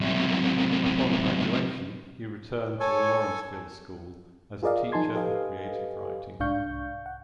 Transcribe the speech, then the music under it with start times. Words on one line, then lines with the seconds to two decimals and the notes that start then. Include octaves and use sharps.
Upon graduation, he returned to the Lawrenceville School as a teacher of creative writing.
0.01 B1 C3
2.80 A4 C#5 G#5
4.63 F4 G#4 A#4 D5 D#5 F5
4.92 F3 D#4 G#5 A5 C6 G#6
5.14 G4 A4 B4 D#5 F5 G#5
6.40 C2 G#2 D4 F5 C#6 G6
7.06 F#5